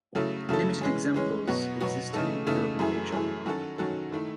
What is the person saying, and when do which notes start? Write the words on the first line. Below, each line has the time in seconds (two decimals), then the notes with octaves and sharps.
Limited examples existed in Europe and Asia.
0.15 C#3 F#3 A3 E4 A4
0.49 C#3 F#3 A3 E4 A4
0.81 E3 G#3 C#4
1.14 E3 G#3 C#4
1.47 B2 F#3 B3 F#4
1.80 B2 F#3 B3 F#4
2.13 C#3 E3 A3 D#4 A4
2.47 C#3 E3 A3 D#4 A4
2.79 F#2 E3 A3 E4 G#4
3.12 F#2 E3 A3 E4 G#4
3.45 D#3 F#3 C#4 F#4 A4
3.78 D#3 F#3 C#4 F#4 A4
4.12 D#3 A3 E4